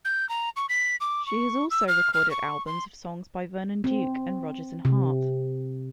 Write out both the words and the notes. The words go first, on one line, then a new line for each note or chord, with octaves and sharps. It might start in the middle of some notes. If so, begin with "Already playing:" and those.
She has also recorded albums of songs by Vernon Duke and Rodgers and Hart.
G6
A#5
C#6
B6
D6
C#6
E6
F6
F6
C#6
C6
C4
C3